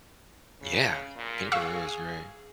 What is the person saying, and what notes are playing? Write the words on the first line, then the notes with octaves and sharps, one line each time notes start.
Yeah, peanut butter is, right.
C#3
A#2
G#4 F5 C#6 E6